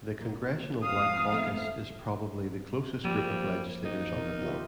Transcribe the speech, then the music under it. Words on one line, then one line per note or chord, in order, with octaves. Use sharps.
The Congressional Black Caucus is probably the closest group of legislators on the Hill.
A#2
F2 G#2 F5 D#6
A3 B3 D#4
F3 G3 A#3
D#4
B2 A#4
F4 G4 E5